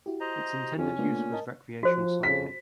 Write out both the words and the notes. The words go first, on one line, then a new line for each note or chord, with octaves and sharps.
Its intended use was recreational cycling.
E4 F#4 G4
C5 D#5 A#5
F2 C#4
A#2 A3 B3 D4
A#4 D#5 A5
F3 F#4 C5
F2 C#3 B6